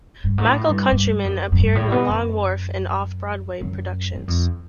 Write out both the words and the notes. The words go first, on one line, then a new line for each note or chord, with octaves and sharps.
Michael Countryman appeared in the Long Wharf and Off-Broadway productions.
G2
G#2
A2
G2
G2
F#2
F#2
G2
A2
B2
F#2
F#2
F#2
F2